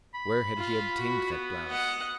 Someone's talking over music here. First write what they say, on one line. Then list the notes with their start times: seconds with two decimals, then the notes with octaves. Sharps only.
Where had he obtained that blouse?
0.14 B5
0.57 F4
0.99 F#4
1.32 B3
1.68 D#5 F#5